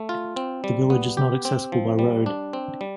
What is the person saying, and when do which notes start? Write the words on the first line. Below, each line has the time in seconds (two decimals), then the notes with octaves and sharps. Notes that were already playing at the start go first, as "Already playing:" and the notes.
The village is not accessible by road.
Already playing: A3
0.09 F4
0.36 C4
0.64 G3
0.90 B3
1.17 G4
1.45 C4
1.72 F3
1.99 G3
2.26 D4
2.53 C4
2.81 G3